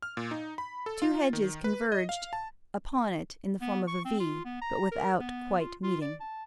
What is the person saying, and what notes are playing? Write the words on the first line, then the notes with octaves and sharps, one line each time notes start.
Two hedges converged upon it in the form of a V, but without quite meeting.
F6
A#2
D#4
B5
A4
F4
D#3
B4
D#5
F5
A5
B3
C#6
C4
F4
B3
A#5
A#4
B3
F4
F4
D5
A5